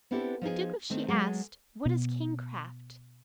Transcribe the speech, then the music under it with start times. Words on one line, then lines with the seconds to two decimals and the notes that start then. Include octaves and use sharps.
The Duke of She asked, What is kingcraft?
0.11 B3 C4 D4 E4 G4 A4
0.41 F3 D#4 F4 G#4
0.90 D#3 A3 B3 C4
1.08 F#3 G#3 G#4 A4
1.85 B2